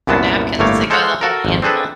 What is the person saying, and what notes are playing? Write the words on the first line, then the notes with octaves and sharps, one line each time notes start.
Or napkins, they go the whole handful.
C2 F#2 A#2 B3 A5
G1 A2 A3 A#3 C#5
G#3 A4 C5 C#5 F5 F#5
F#4 A4 A#4
G#1 F2
C4 D4 G#4 A4 B4